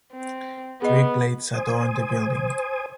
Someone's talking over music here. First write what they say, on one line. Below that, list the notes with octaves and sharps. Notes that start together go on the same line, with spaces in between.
Three plates adorn the building.
C4
B3 G#4 D#5
C5 G#5 D#6